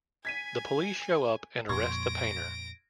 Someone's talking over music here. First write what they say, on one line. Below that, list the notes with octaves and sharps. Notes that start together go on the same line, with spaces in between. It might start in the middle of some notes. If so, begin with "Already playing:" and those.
The police show up and arrest the painter.
G#5 G#6 B6 D#7
F2 A#2 C6 C#6 G#6 A#6 D7